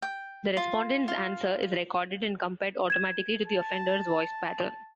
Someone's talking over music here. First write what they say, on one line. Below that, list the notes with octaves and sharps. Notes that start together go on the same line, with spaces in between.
The respondent's answer is recorded and compared automatically to the offender's voice pattern.
G5
F4
F4
G#6 E7
A5